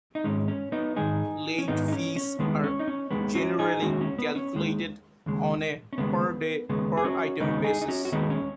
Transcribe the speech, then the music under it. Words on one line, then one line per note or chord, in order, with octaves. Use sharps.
Late fees are generally calculated on a per day, per item basis.
D#4
G#2 D#3 G#3 C#4
C#4
B3 D#4
G#2 D#3 G#3 D#4 G#4
C#4
G#2 D#3 G#3 B3 D#4
D#4
C#4
C#4
D#2 D#3 G#3 B3
C#4
D#4
C#4
D#2 D#3 G#3 B3
C#4 F#4
D#4 G#4
D#2 D#3 G#3 C#4 F#4
C#4
B3
C#4
D#2 D#3 G#3
D#2 C#3 G#3
C#4
D#2 C#3 G#3 B3
D#2 C#3 G#3 B3
G#4
C#4 F#4
D#2 C#3 G#3 B3 D#4
D#4 G#4
D#4
C#4 F#4
F#4
D#2 D#3 G#3 B3 D#4
C#4